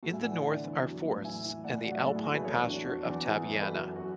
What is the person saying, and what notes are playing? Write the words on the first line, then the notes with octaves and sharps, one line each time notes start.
In the north are forests and the alpine pasture of Taveyanne.
A2 F#4 A4
E5 G#5
E3 D5 F#5
D5 F#5
D3
E2
F#3
A2
E3 E5 G#5
E3
A2 D5 F#5
D5 F#5
F#3
D5 F#5
A2 F#4 A4
E4 G#4
A2 F#4 A4
G#4 B4
E2 A4 C#5
E2 D4 F#4
E2 D4 F#4
E2
E2 E4 G#4
E2
B4
F#3 F#4 A4
F#2
F#4